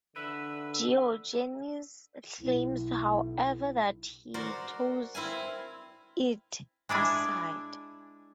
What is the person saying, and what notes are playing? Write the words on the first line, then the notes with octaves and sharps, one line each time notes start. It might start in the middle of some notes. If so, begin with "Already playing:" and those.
Diogenes claims however that he tossed it aside.
D3 B4 E5 E6
B1 E4
F#4 A#4 C5 D5
C4 E4 F5 G#5
G#3 D4 E4 G#5